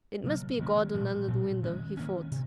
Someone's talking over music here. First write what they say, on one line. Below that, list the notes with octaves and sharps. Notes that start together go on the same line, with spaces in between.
"It must be a garden under the window," he thought.
C3 F#3 A#3
D#3 A#3 C#4
A#2 F3 G#3
A#2 F3 C4
D#3 G#3 C#4
D#3 A#3 C#4
C3